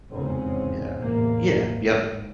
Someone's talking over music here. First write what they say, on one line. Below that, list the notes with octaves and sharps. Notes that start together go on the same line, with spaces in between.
Oh yeah, yeah, yep,
F1 E2 G#2 C#3 C4 C#4
A1 E2 C3 A#3
G#1